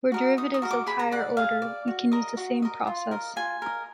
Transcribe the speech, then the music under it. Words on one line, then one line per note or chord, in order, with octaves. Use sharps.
For derivatives of higher order, we can use the same process.
F#4 A#4 D#5
D#4 D#6
D#6
F#4 A#4 D#5
D6
G#4 B5
A#5
D5 F#5
G#4 F5
D5
F#4
A#4 D#5
F#4
A#4 D#5
F4
A#4 D#5
F4 G#5
A#4 D#5